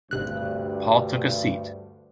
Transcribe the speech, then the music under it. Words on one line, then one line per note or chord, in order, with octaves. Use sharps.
Paul took a seat.
G#1 D2 G2 C3 F#6